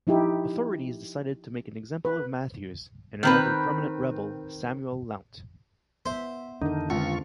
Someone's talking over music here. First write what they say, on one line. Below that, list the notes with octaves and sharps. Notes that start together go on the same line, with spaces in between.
Authorities decided to make an example of Matthews and another prominent rebel, Samuel Lount.
F3 D#4 E4 G4
B4
D#3 C4 B4
B3 C5 E5
F2 D3 D#3 D4 D#4 A#4
C#2 D3 C4 F4 C#6